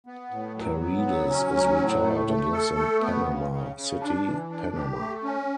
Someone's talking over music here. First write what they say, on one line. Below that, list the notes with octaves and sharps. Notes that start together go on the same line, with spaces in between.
Paredes is retired and lives in Panama City, Panama.
B3
A2
F#3
B3
F#3
C#4
F#3
A2
A3
A3
A4
A3
B3
C#3
C#3
C#3
D4
E3
D4
G4
A3
C#4